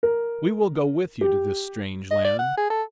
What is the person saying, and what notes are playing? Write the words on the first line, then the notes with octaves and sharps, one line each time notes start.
"We will go with you to this strange land."
A#4
G4
D#5
D5
F#5
G#4
A4